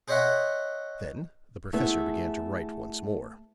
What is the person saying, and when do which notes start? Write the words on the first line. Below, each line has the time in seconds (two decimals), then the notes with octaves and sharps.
Then the professor began to write once more.
0.08 G#4 C5 C#5 D#5 E5 F#5
1.73 A3 B3 E4 G#4